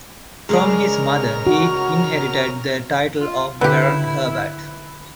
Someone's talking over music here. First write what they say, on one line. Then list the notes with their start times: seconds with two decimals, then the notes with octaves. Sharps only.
From his mother, he inherited the title of Baron Herbert.
0.49 C#3 G#3 G#4 A#4 D5 F6
1.47 F#4
3.21 F4
3.61 D3 E4 G4 B4